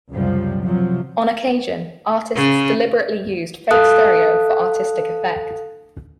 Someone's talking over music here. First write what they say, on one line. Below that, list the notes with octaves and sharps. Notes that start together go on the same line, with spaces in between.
On occasion, artists deliberately used fake stereo for artistic effect.
C#2 F#2 C3 F3 G3
C3 F3 F#3
C#3
A4 F5 A5 D#6 F#6